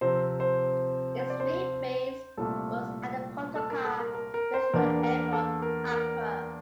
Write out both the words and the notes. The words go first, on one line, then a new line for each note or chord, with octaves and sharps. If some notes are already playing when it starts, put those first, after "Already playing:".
Its main base was at Kotoka International Airport, Accra.
C3 F3 C4 C5
C5
C5
D5
C5
C2 A#2 A3 A4
A4
A#4
A4
A#4
A#4
A#4
C5
E2 E3 A#3 D4 A#4
A#4
A4
A#4
A#4